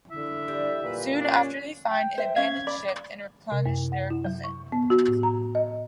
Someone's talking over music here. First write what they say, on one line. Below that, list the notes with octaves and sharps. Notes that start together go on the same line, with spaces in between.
Soon after they find an abandoned ship and replenish their equipment.
D3 E4 E5
G3
A#2 B4
C#4 D4
G5
C5 E5
C#4 E5 F5 G#6
D5 B5
C3
F#2
F#5
E4
F#3
C#6
B3
F#4
A2
A#5
D#5